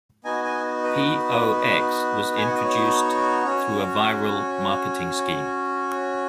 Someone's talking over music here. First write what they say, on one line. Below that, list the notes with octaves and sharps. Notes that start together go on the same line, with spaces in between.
P-O-X was introduced through a viral marketing scheme.
B3 D#4 F#4 D#5 G#5
D#5 G#5
B4 D#5
B4
G#5
F#5
D#5
C#5
C#4 F#4